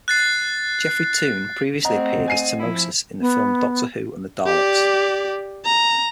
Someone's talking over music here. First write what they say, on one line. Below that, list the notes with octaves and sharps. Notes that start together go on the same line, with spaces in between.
Geoffrey Toone previously appeared as Temmosus in the film "Doctor Who and the Daleks".
F#6 A6 C7
A3 C4 D#5 F#5 A#5
G#5 C7 D#7
F3 E4
B3
G4 D5
A#5